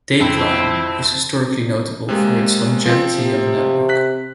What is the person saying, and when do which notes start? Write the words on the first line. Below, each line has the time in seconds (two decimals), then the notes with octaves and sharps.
"Dateline" is historically notable for its longevity on the network.
0.21 F2 C4 E4
2.09 C3 G#3 A#3
2.86 F3 C4
3.17 C3
3.89 F#6 B6